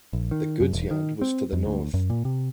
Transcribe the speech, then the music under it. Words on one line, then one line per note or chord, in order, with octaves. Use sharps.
The goods yard was to the north.
A#1
D#3
F#2
E1
D#3
C4
F2
D2
F#2
A#2
C3